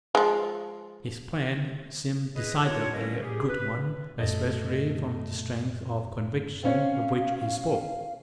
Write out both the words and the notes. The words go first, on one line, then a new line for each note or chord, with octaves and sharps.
His plan seemed decidedly a good one, especially from the strength of conviction with which he spoke.
F3 G#3
E4 G#4 B4 D#5
D4 D#4 F4 G4 A#4 C#5
G3 A#3 C#4 A#4 B4 D#5
G4 G#4
B4
F#2 A#2 A3 A4 D#5
C4 C#4 C#5 F5